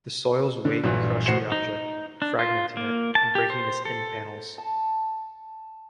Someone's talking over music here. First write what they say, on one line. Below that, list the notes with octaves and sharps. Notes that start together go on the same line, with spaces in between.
The soil's weight crushed the object, fragmenting it and breaking its end panels.
D3
A#1 G2 E3 F#3
A2 F#4 C5 C7 C#7 E7
D#4
D4
F4
A#3
A5
G4
C5
A4
A5